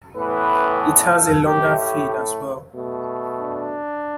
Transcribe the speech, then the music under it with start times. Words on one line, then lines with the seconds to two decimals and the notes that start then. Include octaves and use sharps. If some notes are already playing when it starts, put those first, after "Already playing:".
It has a longer fade as well.
0.16 A2 E3 B3 B4
0.81 A4
1.45 A2 A3 G4
1.78 G4
2.75 B2 A3
3.39 D4